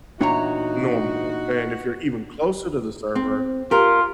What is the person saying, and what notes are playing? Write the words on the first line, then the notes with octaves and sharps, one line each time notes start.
normal and if you're even closer to the server
E2 A#2 D4 D#4 F#4 C#5 G5 A#5
C4
F4 G4 A#4